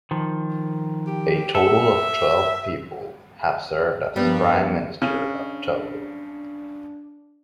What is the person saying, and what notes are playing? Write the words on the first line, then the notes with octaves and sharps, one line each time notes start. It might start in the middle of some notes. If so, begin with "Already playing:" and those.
A total of twelve people have served as Prime Minister of Togo.
D#3 F3
G4
A4 E5
G2 F3 G3 A#3 B3
C#3 D4